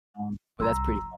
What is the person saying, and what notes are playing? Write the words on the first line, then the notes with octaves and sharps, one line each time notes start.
um, but that's pretty
C2 A#5 C6 E6
F#1